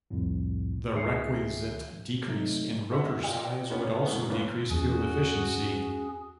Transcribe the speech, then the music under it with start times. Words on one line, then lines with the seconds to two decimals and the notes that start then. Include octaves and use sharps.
The requisite decrease in rotor size would also decrease fuel efficiency.
0.11 C2 F2 A2
0.95 C#2 D#3 G#4 E5 C7 C#7
2.26 C3 F#3 A3 D#4
2.91 A4 D#5 E5 F#5
3.08 E4
3.24 F4 G4 D5 D#5 G5
3.70 B3 C#4 D4 F#4 B4 A#5
4.06 F#2 B2 E3 G#3 A#3
4.30 F1 D#2 G#2 C#4 F4 B4
4.71 E2 C#4 F#4 G#4